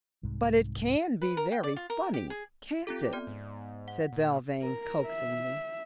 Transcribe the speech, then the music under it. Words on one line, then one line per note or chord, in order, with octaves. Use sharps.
"But it can be very funny, can't it?" said Belvane coaxingly.
C2 G#2
B4
A#4
G5
D5
F4
A#4
G4
G#4
C4 F4 G4 A4
B3 D5
G#2
F#5
A#2
A#4
E5